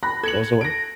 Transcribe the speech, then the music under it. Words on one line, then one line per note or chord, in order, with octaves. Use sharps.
goes away.
B5 F#6 A#6
A4 G#6 C#7 F#7
A#6 D7